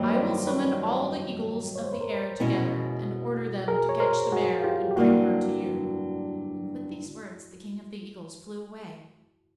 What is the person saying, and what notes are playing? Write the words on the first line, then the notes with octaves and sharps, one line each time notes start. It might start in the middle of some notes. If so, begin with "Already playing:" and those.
I will summon all the eagles of the air together, and order them to catch the mare and bring her to you.' And with these words the King of the Eagles flew away.
Already playing: G2 D#3 F#3 A#3 B4 C#5
C5 D5
B4 C#5
C#5
C5
B4
A#4 C5
B2 G#3 C#4 E4
G#4 A#4
C#5
A#4 C5
F#4 G#4
F4 G4
G4
G2 D3 F#3 A#3 E4 F#4